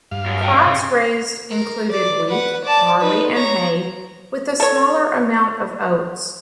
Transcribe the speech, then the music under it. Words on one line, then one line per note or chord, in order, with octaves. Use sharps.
Crops raised included wheat, barley, and hay with a smaller amount of oats.
G2 F5
F#2
E5 G5
C#4 D5 F5
C3
A#4
D5
B4 F#5
D5 A5
D#4 B4
C#5 A#5
A4 C#5